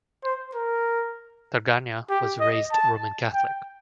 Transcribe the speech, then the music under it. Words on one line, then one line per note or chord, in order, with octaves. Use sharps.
Draganja was raised Roman Catholic.
C5
A#4
G4
D#5
A5
G5